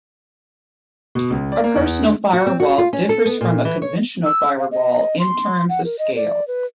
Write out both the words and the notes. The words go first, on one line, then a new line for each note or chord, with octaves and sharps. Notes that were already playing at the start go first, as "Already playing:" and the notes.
A personal firewall differs from a conventional firewall in terms of scale.
B2
C#2
D5
A#3
E2
D3
F#4
C4
F#4
F4
C#4
A4
B3
A#2
E3
C#5
E6
F5
D#5
C6
F#5
A#4
D#5
D5
B4